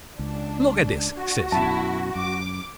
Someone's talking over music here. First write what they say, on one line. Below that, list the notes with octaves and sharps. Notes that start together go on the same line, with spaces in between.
Look at this, says he.
C#2 D4
F#4
F#2 B2 E4 A5
F#2 D6